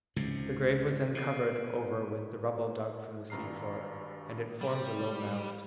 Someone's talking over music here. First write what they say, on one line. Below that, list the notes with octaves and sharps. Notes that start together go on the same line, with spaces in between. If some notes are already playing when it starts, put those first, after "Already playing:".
The grave was then covered over with the rubble dug from the seafloor, and it formed a low mound.
C#2 G#2 C3
B2
G#1 G2 A#5 F6 C7
G3